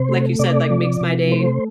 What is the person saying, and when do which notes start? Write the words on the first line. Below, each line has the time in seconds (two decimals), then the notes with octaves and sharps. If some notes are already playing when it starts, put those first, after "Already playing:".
like you said, like, makes my day
Already playing: C3 C5
0.09 A3
0.39 C3 D5
0.70 F3
1.01 C3
1.32 A3 C5